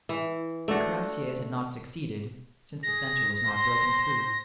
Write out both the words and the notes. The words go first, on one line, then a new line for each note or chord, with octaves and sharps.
The cuirassiers had not succeeded, since the centre was not broken through.
E3
A3 D4 F#4
G#4 A#6
C5